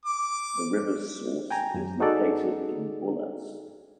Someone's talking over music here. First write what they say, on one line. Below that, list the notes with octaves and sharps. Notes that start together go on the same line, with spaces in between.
The river's source is located in Bullas.
D6
G5 G#5 A#5
F#2
D#4 F#4 G#4 A4 D5